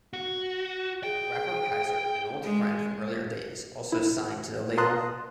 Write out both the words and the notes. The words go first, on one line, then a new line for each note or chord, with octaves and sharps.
Rapper Keizer, an old friend from earlier days also signed to the label.
F#4
G#4 G5
G#3 G#4
E4
F5 A5 A#5 C6 D#6 F#6